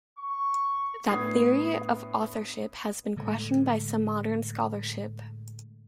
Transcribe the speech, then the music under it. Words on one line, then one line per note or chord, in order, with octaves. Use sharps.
That theory of authorship has been questioned by some modern scholarship.
C#6
A2 B3 D4 D#6 G#6 C7
A2 D3 G#3 A3